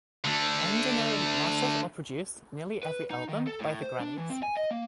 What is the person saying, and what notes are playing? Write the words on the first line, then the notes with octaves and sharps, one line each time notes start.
Endino mastered or produced nearly every album by The Grannies.
D3 A3
B4
D#4
D#3
A4
A2
C5
D4
E3
C4
G#5
D#5
A#3